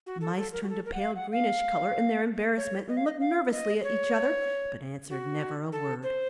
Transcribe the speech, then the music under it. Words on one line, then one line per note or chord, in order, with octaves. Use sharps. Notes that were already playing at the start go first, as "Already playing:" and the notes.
The mice turned a pale greenish color in their embarrassment and looked nervously at each other, but answered never a word.
F#4
A4
A4
A#4
F#4
A4
A#4
F#5
F5
F#5
F5
C#5
D#5
F5
D#5
F5
D#5
C#5
F#4
A4
C5